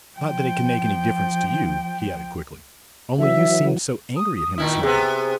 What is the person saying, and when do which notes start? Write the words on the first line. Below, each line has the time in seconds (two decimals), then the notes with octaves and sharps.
"Not that it can make any difference to you," he added quickly, "only you seemed so angry at him this morning."
0.17 F3 G5
3.19 E3 F#3 E5
4.16 D#6
4.58 A#2 D#3 E4
4.83 C3 B3 G#4